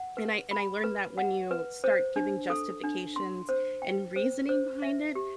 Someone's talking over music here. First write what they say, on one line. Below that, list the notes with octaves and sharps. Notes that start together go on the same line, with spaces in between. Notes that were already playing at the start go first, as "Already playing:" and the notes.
and I and I learned that when you start giving justifications and reasoning behind it,
Already playing: F#5
B4
B5
B4
F#5
B4
C5
D4
A4
D4
C6
C5
G5
C5
C5
E5
G4